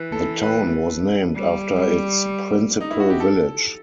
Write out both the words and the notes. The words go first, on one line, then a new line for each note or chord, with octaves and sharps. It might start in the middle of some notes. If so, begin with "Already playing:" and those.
The town was named after its principal village.
Already playing: E3 B4
A4
B4
G3
D#4
E4
F#4
G4
A4